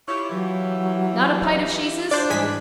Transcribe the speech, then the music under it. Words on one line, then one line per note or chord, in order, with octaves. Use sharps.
Not a pite of sheeses?
E4 F4 G4 C#5
E3 F#3
D4 C5 D5
G#2 E3 G3 G#3 G#5 F#6 B6